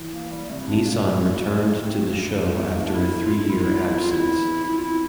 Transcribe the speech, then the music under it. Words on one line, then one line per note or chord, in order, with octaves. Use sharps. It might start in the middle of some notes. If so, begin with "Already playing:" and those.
Nissan returned to the show after a three-year absence.
Already playing: E3
A#3
G3
G3
C3 A3
E4
D4
A#2 A#3
G3
A2 G3
A#3
A3
G3
A3
C4
A3
A#3
G3
G2 A3
A3
E2 A#3
D4
E4
F2 E4
F4
E4
E2 F4
E4
F4
F2 E4
F4
E4
E2
F2 E4
F4
E4